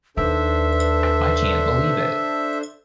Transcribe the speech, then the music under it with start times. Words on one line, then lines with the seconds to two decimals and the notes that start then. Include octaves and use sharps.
I can’t believe it!
0.17 D#2 D4 D#4 A4 B4 C5 E5